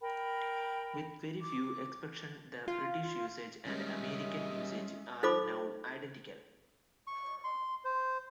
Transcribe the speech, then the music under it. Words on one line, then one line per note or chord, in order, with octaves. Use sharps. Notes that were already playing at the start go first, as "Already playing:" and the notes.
With very few exceptions, the British usage and American usage are now identical.
A#4 G5 B5
D6
F4
D#3 G3 G#3 C#4 D#5 E5
D#4 F4 A4 C5 B5 D6
C#6
C6
C5